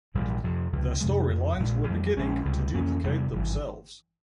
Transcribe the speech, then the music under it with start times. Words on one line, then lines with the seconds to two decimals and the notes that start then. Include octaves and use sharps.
The storylines were beginning to duplicate themselves.
0.14 A#1 G#2 E3 G3
0.44 F2 C3 F3
0.72 C#2 C3 F3
1.01 F2 C3 F3 G#3
1.29 F2 C3 F3
1.59 A#1 A#2 G#3
1.88 F2 E3 G3
2.17 A#1 A#2 G#3 C#4
2.45 C#2 C3 G3
2.74 F2 E3 A#3 C#4
3.04 E2 C3 G3
3.33 G#1 G2 E3